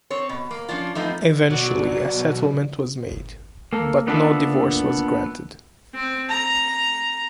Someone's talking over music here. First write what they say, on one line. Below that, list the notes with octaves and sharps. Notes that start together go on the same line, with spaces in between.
Eventually a settlement was made, but no divorce was granted.
C4 C#5
B2
A#3
F3 C#4 D4 F4
F3 A3 B3 C4 D#4
B2 F#3 D5
A#3 A4
A#3 B3 D4 F4 A4 E5
C4
A#5